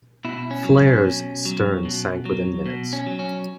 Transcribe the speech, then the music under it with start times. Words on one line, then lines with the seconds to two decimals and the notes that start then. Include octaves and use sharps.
"Flare"s stern sank within minutes.
0.25 B2 E4
0.51 C#4
0.64 F#3
0.77 C#4
1.05 B2
1.45 F#3
1.85 B2
2.25 F#3
2.66 B2
2.93 C#4
3.07 F#3
3.19 C#4